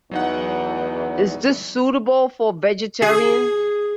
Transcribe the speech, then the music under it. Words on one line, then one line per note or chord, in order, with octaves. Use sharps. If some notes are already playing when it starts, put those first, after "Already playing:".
Is this suitable for vegetarians?
E2 F#3 D#4 F#5
G#4